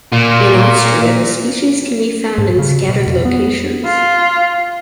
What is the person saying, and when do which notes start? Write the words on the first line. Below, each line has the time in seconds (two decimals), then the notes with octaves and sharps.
In Austria, the species can be found in scattered locations.
0.12 A#2
2.38 G#2
2.59 C#3
2.89 B2
3.06 F2
3.25 B3
3.85 F4